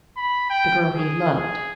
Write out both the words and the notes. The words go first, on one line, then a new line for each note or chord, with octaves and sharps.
The girl he loved!
B5
G5
G#4
G#4